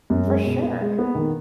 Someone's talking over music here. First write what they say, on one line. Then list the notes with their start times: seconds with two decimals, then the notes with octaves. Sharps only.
For sure.
0.10 F#2
0.27 G#3
0.45 B2
0.62 B3
0.81 G#3
0.99 B3
1.15 D#3